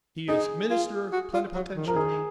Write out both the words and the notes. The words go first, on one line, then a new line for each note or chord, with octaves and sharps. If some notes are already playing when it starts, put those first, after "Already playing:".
He is minister plenipotentiary.
D#4 G#4
F4
F#4
F4
F#3
D#3
F3 A#4
D#3 G#4